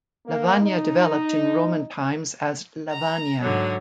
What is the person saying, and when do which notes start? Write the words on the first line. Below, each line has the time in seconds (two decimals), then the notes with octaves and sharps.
Lavagna developed in Roman times as Lavania.
0.25 A#3
0.61 D#4
2.91 A#5
3.41 G#2 D3 F#3